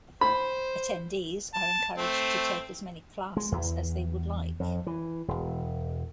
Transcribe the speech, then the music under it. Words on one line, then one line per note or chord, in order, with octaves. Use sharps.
Attendees are encouraged to take as many classes as they would like.
C5 B5
A5
A3 C4
G#3
E2
F2
E3
E1